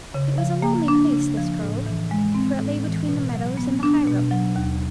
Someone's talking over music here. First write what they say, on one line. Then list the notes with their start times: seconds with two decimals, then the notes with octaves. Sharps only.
It was a lonely place this grove; for it lay between the meadows and the high-road.
0.14 C#3
0.38 F3
0.62 A#3
0.88 D4
1.12 C#3
1.37 F3
1.61 A2
1.86 E3
2.11 G#3
2.35 C4
2.60 A2
2.84 E3
3.08 B2
3.34 F#3
3.57 B3
3.83 D4
4.08 B2
4.31 F#3
4.56 D#2